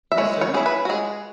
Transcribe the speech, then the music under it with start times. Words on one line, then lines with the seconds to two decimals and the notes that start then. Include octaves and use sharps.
"Yes, sir."
0.12 E5
0.18 G#3 C#5
0.41 C#5
0.54 C#4 E4 G#4
0.66 B4
0.85 F#4
0.89 G#3 G#4